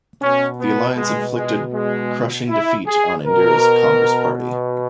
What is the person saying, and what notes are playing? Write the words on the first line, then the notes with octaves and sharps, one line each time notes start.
The alliance inflicted crushing defeat for Indira's Congress Party.
B2 C#4
B3
G#3
G#3
G#3
E4
G#4
B2 A#4